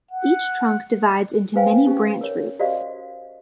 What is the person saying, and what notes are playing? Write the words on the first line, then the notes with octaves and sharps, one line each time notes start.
Each trunk divides into many branch routes.
F#5
B4 C5 F5 G5 G#5
C#4 D#4 G4
A#4 C#5
F#4 G4 C5 D5 D#5 F5